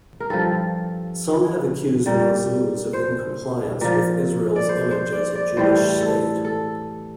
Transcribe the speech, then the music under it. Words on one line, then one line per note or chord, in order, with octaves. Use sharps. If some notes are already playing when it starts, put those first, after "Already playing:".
Some have accused Mazuz of incompliance with Israel's image as a Jewish state.
A#4
G2 F3 A4
A#2 G3
C5
A#2 F3
D5
C5
C5
D5
D5
A2 E3 G3 C5
A4
A4